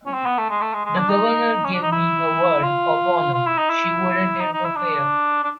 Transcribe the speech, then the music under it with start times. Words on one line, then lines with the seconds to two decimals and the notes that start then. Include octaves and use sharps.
The Governor gave me her word of honor she wouldn't interfere.
0.06 C#4
0.14 C4
0.26 B3
0.38 A3
0.50 G#3
0.61 A3
0.73 G#3
0.85 G#3
0.97 D4
1.09 D#4
1.64 C#4
1.73 D4
1.82 D#4
1.92 E4
2.63 F4
3.34 F4
3.46 E4
3.58 D#4
3.70 E4
4.41 D#4
4.53 D#4
4.65 E4
4.77 D4
5.44 D4